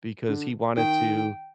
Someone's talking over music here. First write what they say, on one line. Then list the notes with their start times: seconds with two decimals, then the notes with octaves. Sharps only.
because he wanted to
0.29 D3
0.77 D#3 G5